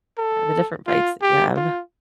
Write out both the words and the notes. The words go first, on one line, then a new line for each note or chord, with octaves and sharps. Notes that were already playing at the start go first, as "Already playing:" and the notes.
Yeah. The different fights that you have.
A4
F4
G4
F4